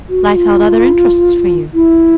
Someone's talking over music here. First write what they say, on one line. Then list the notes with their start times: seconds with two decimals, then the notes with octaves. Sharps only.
Life held other interests for you.
0.09 F#4
0.36 F4
1.74 E4